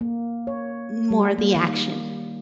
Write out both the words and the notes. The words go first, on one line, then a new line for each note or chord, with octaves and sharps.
more of the action.
A#3
C#5
G3
A#3
D#3